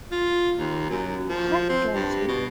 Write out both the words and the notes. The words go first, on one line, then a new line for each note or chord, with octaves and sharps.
I got you.
F4
D#2
F#2
F3
C4
G2
B2